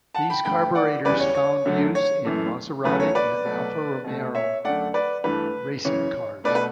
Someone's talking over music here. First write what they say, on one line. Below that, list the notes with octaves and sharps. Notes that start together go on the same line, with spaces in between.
These carburetors found use in Maserati and Alfa Romeo racing cars.
F#5 A5
G5 B5
G2 D3 A3 G5 B5
D5 F#5
E2 C#3 G3 B4 D5
C#5
C#5
F#2 D3 F#3 A3
C#5
F#2 E3 A3
E2 C#3 F#3 A3 B4
C#5
B4 D5
B2 F#3 A3
B2 A3
C#5 E5
F#2 D3 A3 D5 F#5
B4 D5
G2 E3 A3 B4
F#2 C#3 E3 C#5
B2 A3 B4 D5
B4